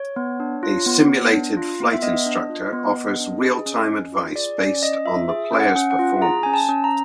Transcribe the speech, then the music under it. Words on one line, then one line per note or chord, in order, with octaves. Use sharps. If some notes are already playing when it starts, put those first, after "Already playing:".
A simulated flight instructor offers real-time advice based on the player's performance.
Already playing: C#5
B3
D4
F4
B3
B3
D4
F4
B3
E5
B3 D#5
D4
F4
B3
B3
D4
G#4
C#4
C#4
F4
G#4 D5
C#4 D5
C#4 D#5
F4 E5
G#4 E5
C#4
F#5
C#4
F#5
F4
G#4 A#5
C#4 G#5
A5
C#4
A#5